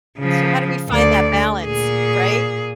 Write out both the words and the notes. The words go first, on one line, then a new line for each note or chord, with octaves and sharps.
So how do we find that balance, right?
C#3 F3
D2 D5
A#2 G#4